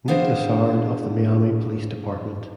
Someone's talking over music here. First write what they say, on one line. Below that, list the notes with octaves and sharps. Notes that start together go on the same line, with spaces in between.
Nick Lassard of the Miami Police Department.
B3 D4 G#4 C5 F5